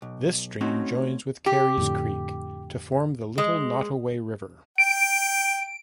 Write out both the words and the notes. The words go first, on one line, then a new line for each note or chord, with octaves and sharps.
This stream joins with Carys Creek to form the Little Nottoway River.
B1
A3 C4 C#4 D#4 F#4
G4
F2 A2 D3
G#3
G5 D7